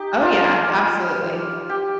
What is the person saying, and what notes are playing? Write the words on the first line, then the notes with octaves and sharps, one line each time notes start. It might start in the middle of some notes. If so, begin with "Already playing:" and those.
Oh, yeah, absolutely.
Already playing: D#4 G4
F4
G4